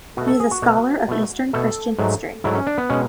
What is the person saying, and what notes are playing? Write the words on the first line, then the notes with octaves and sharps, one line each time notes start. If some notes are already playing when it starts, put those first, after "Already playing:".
He is a scholar of Eastern Christian history.
B2 A3 F#4
A4
G#4
F#4
B2 A3
B2 A3
B2 A3 A4
G#2 F#3 A3
G#2 F#3 A3 E4
C#4
D4
B3
B2 G#3 C#4